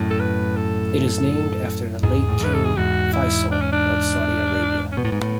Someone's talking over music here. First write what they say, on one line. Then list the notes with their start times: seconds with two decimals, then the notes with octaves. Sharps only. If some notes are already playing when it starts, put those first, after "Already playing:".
It is named after the late King Faisal of Saudi Arabia.
Already playing: F#2 A2
0.10 A4
0.20 B4
0.56 A4
2.03 E2 G#2 G#4
2.29 A2
2.40 E2 G#2 B4
2.54 A4
2.65 G#4
2.77 E2 G#2 F#4
3.13 E4
3.51 D4
3.61 C#4
3.72 D4
4.92 C#4
4.97 B2 B3
5.05 A2
5.12 G#2
5.22 A2